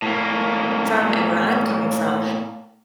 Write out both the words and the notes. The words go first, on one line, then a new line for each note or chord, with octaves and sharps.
from and where I'm coming from,
A2 A#3